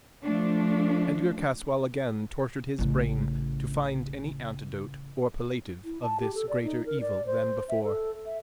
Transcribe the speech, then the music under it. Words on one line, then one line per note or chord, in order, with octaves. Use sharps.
Edgar Caswall again tortured his brain to find any antidote or palliative of this greater evil than before.
F3 A3 D4
A1 C#3
E4
A5
G4
A4
D5
D#4
A#4
D5
C5
E5
A4
E5